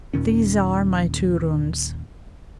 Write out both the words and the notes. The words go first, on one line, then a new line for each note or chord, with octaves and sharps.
These are my two rooms.
D#2 A#2 D#3 C#4